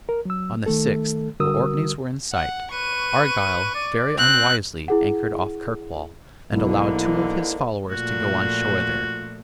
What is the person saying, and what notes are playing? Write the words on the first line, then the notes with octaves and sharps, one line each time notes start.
On the sixth the Orkneys were in sight. Argyle very unwisely anchored off Kirkwall, and allowed two of his followers to go on shore there.
A#4
F#3 E6
D#3 A3 A4
D3 G3 F#4 A#4 D#6 E6
F#5
B4 C#6 D#7
D5
C4 F#6
E4 G#4 F#5
B1 G#2 D3 A#3 E4
A#2 F3 A3 F#4